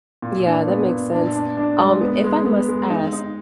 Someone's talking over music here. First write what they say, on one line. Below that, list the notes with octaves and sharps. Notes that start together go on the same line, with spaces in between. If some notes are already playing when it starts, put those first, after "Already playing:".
Yeah, that makes sense. Um, if I must ask,
A#2
D4
B3
A#2
D4
D4
D4
G#3
B3
G#3
B3
G#3
D#4
D#4